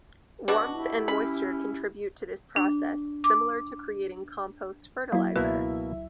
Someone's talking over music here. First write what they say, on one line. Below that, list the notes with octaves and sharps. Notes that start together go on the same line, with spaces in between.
Warmth and moisture contribute to this process, similar to creating compost fertilizer.
B2 D4 F#4
E4 G4
C#4 B5
D4
D6
F#3 A#3 E4
C#2 B2 A#3 E4 B4 E5